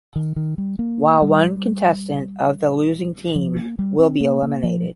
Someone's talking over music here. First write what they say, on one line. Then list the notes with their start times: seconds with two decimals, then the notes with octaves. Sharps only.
While one contestant of the losing team will be eliminated.
0.16 D#3
0.36 D#3
0.58 G3
0.79 A#3
1.22 G3
3.36 F3
3.56 A#3
3.79 G3
3.99 C4
4.21 A#3
4.42 A#3
4.63 F3